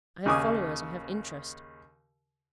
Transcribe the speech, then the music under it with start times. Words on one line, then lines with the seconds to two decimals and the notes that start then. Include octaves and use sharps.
I have followers,--I have interest.
0.26 D#2 C#3 G#5 D6 D#6